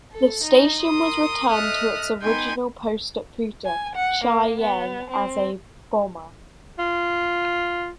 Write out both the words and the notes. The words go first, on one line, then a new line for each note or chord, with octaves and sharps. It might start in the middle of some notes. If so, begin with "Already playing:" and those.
The station was returned to its original post at Puta, Chienge as a Boma.
A4
D#4
A#4 C6 D#6
A4 D#5 E5 D#6 F6 F#6
B3 D#4 G5 G#5 C6
G#5
F#5
A#3
B3
C4
F4